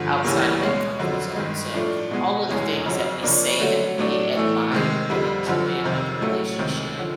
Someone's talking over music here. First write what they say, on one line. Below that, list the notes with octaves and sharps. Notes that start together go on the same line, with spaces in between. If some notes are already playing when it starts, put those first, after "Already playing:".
outside of that comfort zone. So all of the things that we say that we admire and enjoy about a relationship,
Already playing: G2 D3 F3
D2 C#3 E3 G3 A#3
B2 G#3 C#4
F2 D3 F#3
G2 D#3 G#3
A2 F3 A3 D4 F4
B2 G#3 B3
F1 E2 B2 G#3 C#4
F2 C#3 F#3
C#3 F3 A#3 D4
D3 F#3 A3 C#4
A2 F#3 A3 D4
A2 E3 A3
C3 D#3 G#3
F2 D3 G3
F#2 D3 F3
F2 C3 D#3
A2 F#3 A3 C#4
C#2 C3 D#3
D3 F3